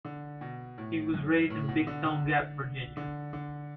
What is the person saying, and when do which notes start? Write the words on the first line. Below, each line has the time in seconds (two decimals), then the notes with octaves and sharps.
He was raised in Big Stone Gap, Virginia.
0.05 D3
0.41 B2
0.78 A2
1.14 F#2
1.50 A2
1.68 B2
1.87 D3
2.05 D3
2.97 D3
3.33 D3